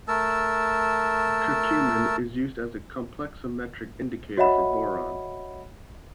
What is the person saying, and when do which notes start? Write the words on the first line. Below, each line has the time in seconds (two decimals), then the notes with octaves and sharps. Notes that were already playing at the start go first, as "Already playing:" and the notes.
Curcumin is used as a complexometric indicator for boron.
0.08 A3 A#4 A5 E6
4.37 F#4 C#5 D#5 E5 F#5 B5